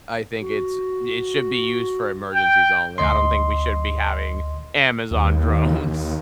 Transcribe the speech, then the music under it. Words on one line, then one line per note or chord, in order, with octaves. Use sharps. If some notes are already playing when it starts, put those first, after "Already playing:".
I think it's it should be used for emergencies only. I don't think we should be having Amazon drones.
F#4
G5
D2 D#5 C6
D#2
D#2